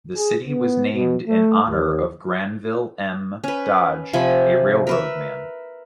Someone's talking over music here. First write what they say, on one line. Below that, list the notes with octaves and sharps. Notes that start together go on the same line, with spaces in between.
The city was named in honor of Granville M. Dodge, a railroad man.
G#4
B3
B2
A3
D#2
C#4 B4
C3 F3 G#5 B5
A#4 B4 E5